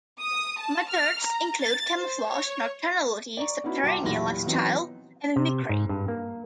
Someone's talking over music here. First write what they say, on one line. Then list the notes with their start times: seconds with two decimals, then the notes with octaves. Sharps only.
Methods include camouflage, nocturnality, subterranean lifestyle, and mimicry.
0.21 D#6
0.59 A5
0.90 F6
1.23 A#5
1.61 A6
1.97 C5
2.29 C#5
3.37 D5 A#5 C#6
3.64 B3 C#4 D#4 E4 F#4
3.83 C2 F#4 G5 A5 C6 D6
4.03 B1 E2 A#2 E4 G4 A#6
4.46 E3 F#3 B3 C4 D#4
5.36 C3
5.69 G#2
5.89 G2
6.08 A#3